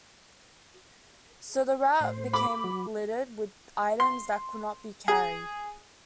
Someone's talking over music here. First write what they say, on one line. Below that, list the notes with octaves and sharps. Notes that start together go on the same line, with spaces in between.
So, the route became littered with items that could not be carried.
A2 C5
B5 D6
F#3
C6
G#4